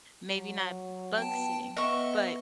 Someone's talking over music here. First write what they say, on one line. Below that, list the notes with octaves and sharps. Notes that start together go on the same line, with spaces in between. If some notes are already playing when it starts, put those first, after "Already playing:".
maybe not bug sitting, but
F#3
B3 G5 A5
B3 D#5 E5 C#6